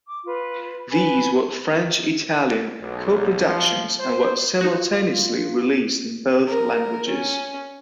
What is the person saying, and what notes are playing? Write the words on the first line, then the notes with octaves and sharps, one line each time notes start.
These were French-Italian coproductions and were simultaneously released in both languages.
D6
F4 B4
B4 G#5 B5
B1
F3
C5
D#4 F4 F#4
A#4
C#4